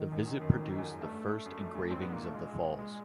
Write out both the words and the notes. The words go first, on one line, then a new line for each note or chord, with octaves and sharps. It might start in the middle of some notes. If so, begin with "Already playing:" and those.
The visit produced the first engravings of the falls.
Already playing: D#3
F#2
F#2
F#2
F2
F2
F#2
G#2
G2 A3
F#2
F2
F#2
G2 C4
G#2 B3
A#2 A#3
A#2 A3
G#3
G#3